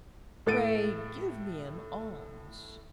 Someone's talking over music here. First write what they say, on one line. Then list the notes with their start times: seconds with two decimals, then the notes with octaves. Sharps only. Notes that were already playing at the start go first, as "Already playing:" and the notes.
Pray give me an alms.'
0.46 A2 A3 A6 D7 D#7